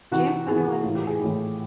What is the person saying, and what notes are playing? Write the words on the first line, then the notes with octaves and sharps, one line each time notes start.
James Sunderland is married.
C3 E3 F#4
C3 E3 G#4
F#4
A2 E3 F4
G4
G#4
A2 E3